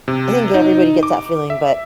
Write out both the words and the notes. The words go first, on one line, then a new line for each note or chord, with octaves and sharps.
I think everybody gets that feeling, but
C3
D#4
D6
E5